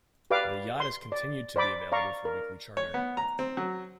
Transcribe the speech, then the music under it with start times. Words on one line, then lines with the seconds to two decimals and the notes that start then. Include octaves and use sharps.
The yacht has continued to be available for weekly charter.
0.31 G4 B4 D5 F5 D6
0.80 C6
1.12 D5
1.56 C5 D5 B5 D6
1.92 D5 F5 A#5 C#6
2.25 A#4
2.77 C#5
2.94 B3
3.17 A#5
3.39 C4
3.57 F#3